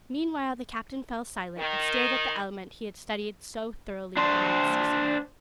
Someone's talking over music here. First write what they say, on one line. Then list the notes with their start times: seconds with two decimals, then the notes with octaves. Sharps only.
Meanwhile the captain fell silent and stared at the element he had studied so thoroughly and unceasingly.
1.57 D#3
4.17 D4 C5